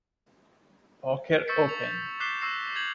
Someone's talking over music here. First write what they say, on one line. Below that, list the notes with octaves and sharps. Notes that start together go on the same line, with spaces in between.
Poker Open.
C#6 E6 G6 A6 B6 C#7
F7
D6 F#6 B6 C7 E7 G7
C#6 E6 A#6 C7
G6 G#6 F7 F#7